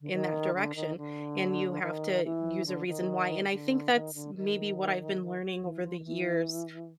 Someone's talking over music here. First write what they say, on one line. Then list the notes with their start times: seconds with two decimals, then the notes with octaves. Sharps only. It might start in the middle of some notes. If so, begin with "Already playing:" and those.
in that direction, and you have to use a reason why, and I think that's maybe what I've been learning over the years,
0.01 D3
0.12 D#3
0.54 D3
0.76 D#3
0.97 D3
1.82 D#3
2.24 E3
2.66 D3
2.87 D#3
3.51 D3
3.93 D#3
4.14 D3
4.35 D#3
5.62 E3
5.83 F3
6.00 D#3
6.04 E3